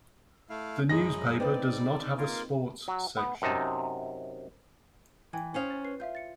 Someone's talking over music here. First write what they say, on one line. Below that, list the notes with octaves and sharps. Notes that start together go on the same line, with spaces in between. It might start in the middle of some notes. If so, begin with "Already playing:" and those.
The newspaper does not have a sports section.
A3 E4 F5
F#2 G#3 D#5 B5 A#6
C4 D#4 B4 D5
A#3 F4 A#4
F#3
B3
F#2 C3 D#4 A5
E3 G5 G#5 G#6
C#4 C5 F5 G#5 D#6
C#5 A6
B4 C7
F4 E5 F5 G6
A6 C#7